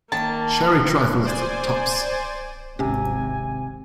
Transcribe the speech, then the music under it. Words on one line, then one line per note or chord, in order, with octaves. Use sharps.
Sherry trifle is the tops!
D#3 A#3 A5
C5 D5 G#5
G#1 C3 C#4 G4 G#5